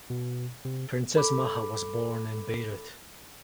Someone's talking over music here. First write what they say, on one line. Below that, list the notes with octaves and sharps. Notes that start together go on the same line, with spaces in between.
Princess Maha was born in Beirut.
B2
C3
A4 B5 D6